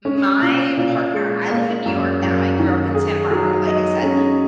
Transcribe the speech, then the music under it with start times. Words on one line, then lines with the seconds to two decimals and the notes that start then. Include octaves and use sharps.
my partner I live in New York now, I grew up in Santa Barbara, like I said,
0.05 C#4
0.42 A#2
0.77 A#2
1.14 G#3
1.50 A#3
1.86 F#2
2.22 F#2
2.59 D#3
2.95 G#4
3.31 F#3
3.67 D#5
4.03 C#4